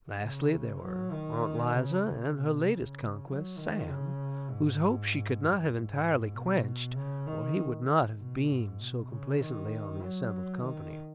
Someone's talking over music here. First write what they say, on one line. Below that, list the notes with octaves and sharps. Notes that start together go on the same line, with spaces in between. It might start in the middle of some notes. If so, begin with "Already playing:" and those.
Lastly, there were Aunt 'Liza and her latest conquest, Sam, whose hopes she could not have entirely quenched or he would not have beamed so complacently on the assembled company.
C#3
F#3
D#3
C#3
C#3
B2
C#3
F#3
D#3
C#3
G#2
F#2
G#2
B2
C#3
D#3
B2
G#2
B2
C#3
D#3
F#3
D#3